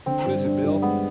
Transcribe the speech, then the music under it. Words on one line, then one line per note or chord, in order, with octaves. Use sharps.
What is it, Bill?'
D3 C4
G2
D4
G2
G#3 B3